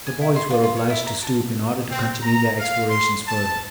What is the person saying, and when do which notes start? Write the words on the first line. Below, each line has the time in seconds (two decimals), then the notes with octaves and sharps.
The boys were obliged to stoop in order to continue their explorations further.
0.07 G#5
0.21 E4
0.36 C6
0.50 F4
0.63 F4
0.77 C#5
0.90 E4
1.06 A#5
1.22 A5
1.91 C4
2.22 A#5
2.59 F5
2.89 C6
3.28 A5